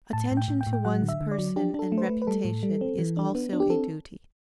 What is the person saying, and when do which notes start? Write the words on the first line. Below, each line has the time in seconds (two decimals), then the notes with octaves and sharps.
Attention to one's person and reputation is also a duty.
0.13 A2 A5
0.31 A2
0.37 G5
0.48 A2
0.61 G5
0.67 A2
0.73 G5
0.85 F#3 F#5
1.02 D3
1.09 E5
1.21 D3
1.31 D5
1.39 F#3
1.56 D4 G4
1.74 D4 A4
1.92 A3
1.98 C5
2.03 B4
2.09 A3
2.22 B4
2.27 G3 A4
2.45 A2
2.63 G3
2.81 C4
2.99 E3
3.17 D4
3.35 B3
3.53 D4
3.60 G4
3.70 C4 A4